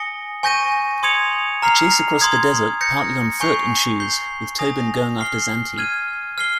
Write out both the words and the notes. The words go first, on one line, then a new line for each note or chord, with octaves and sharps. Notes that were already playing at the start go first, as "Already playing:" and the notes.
A chase across the desert, partly on foot, ensues, with Tobin going after Zanti.
Already playing: G#5 D#6 A#6 C#7 G7
G#5 C#6 G6 A#6 D#7
C6 D#6 G#6 C#7 F7
A#5 F6 C7 F7
C6 D#6 G#6
G6 A#6 C#7
G#5 C#6 G6 C7 F7
G6 C7 G7
G#5 D#6 A#6 F7
F6 C7 G7
F6 G#6 D#7
F6 C7 G7